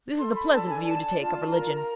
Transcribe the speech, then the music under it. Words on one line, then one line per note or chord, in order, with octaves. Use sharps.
This is the pleasant view to take of religion.
A4 C6
C6
B5
D4 A5
G#5
D4 A5
F4
A#4 A#5